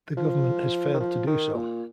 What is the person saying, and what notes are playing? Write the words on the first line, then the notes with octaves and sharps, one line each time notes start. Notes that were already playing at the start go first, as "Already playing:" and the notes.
The government has failed to do so.
F3
D#3
F3
D#3
A#2